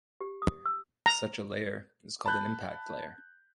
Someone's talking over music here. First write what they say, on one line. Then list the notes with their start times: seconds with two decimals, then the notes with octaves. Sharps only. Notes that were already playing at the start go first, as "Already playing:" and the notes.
Such a layer is called an "impact layer".
0.21 G4
0.42 D#6
0.66 E6
1.06 A#5
2.26 A5 B5 F#6 G6